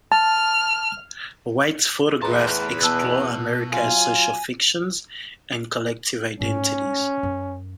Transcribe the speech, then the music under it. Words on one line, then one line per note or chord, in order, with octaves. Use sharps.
White's photographs explore America's social fictions and collective identities.
A5 F6
E2 A2 G#4 B4 A5 A#5 C6
B2 B3 A5 E6 F#6
F#3 F4 G#5
G#2 A3 C#4
F#2